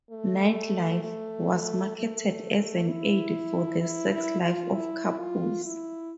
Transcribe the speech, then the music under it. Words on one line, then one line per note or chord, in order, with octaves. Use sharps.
"Night Life" was marketed as an aid for the sex life of couples.
A3
A3
A3
E4
E4
E4
F4
E4
F4
E4